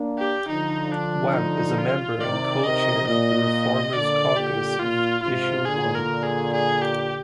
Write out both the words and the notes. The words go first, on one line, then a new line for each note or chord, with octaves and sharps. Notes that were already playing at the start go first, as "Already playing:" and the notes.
Wamp is a member and co-chair of the ReFormers Caucus of Issue One.
Already playing: A#3 D4
G4
D3 F3 D#4
D4
D#4
F4
C3 D#3 D5
C3 D#3 D#5
A#2 D#5
A#2 D3 D5
A#2 D3 G4
A#2 F4
G#2 C3 F4
A#2 D3 G#4
A#4
G#4
G#4
G4